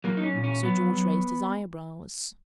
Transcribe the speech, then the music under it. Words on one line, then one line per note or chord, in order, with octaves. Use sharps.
Sir George raised his eyebrows.
F#3 A#3
D#4
C#4
A#2
C#4
F#3 B3
F#3